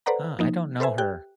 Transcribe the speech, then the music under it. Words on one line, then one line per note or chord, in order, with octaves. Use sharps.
Uh, I don't know her.
A4 B4 C5 D5 F#5 A#5
F3 A#3 D#4
A4 B4 C5 E5 G#5
G4 G5 F#6